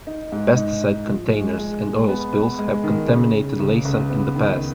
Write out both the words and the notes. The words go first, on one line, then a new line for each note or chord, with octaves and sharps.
Pesticide containers and oil spills have contaminated Laysan in the past.
D#4
G#2
D#4
D#4
F3
G#3
G#3
G#3
B3
B3
G#3
D#3
C#3
C#3
C#2
C#2
B3
D#3